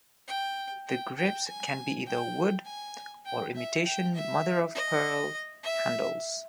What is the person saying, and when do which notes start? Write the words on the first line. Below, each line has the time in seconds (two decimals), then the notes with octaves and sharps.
The grips can be either wood or imitation mother-of-pearl handles.
0.28 G5
0.88 G5
1.17 G5
1.47 G#5
2.06 G5
2.65 G#5
3.26 G5
3.55 E5
3.85 G5
4.15 E5
4.75 D#5
5.64 E5